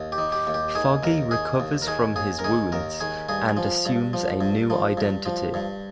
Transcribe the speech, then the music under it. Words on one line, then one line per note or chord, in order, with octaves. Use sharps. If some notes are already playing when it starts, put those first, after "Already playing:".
Foggy recovers from his wounds and assumes a new identity.
Already playing: D#2
G4
D#3
G4
D#2
G4
D#3 G#4
D#2 A#4
D#3 G#4
D#2
A#4
D#3 G#4
D#2 G#4
A#4
D#3 G#4
D#2 A#4
D#3 G#4
G2 G#4
F3
G2
F3
G2
F3
G2
F3
G2